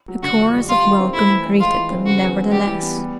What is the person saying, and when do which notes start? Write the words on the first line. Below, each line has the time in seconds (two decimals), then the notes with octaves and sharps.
A chorus of welcome greeted them, nevertheless.
0.08 F#3
0.23 D3 F#4
0.39 F2
0.54 G3
0.69 G3 F4
0.84 D#3
0.99 C4
1.14 A3 E4
1.30 E3
1.45 C4
1.60 G#3 F4
1.75 E3
1.90 C4
2.05 C#3 F#4
2.21 E2
2.36 F#3
2.51 G3 G4
2.67 E3
2.82 B3
2.98 G3